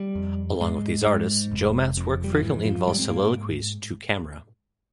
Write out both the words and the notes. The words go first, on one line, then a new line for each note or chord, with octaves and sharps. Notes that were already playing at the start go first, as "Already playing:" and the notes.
Along with these artists, Joe Matt's work frequently involves soliloquies "to camera".
Already playing: G3
F2
G#2 G#3
G#2
F1
F2
G3
F3
G#2 E3
F3
G#2 G3
C4
A#3